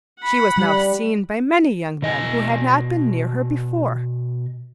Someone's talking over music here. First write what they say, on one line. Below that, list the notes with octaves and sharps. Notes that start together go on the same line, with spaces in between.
She was now seen by many young men who had not been near her before.
F#5 B5
G3
B2 D#5 G#5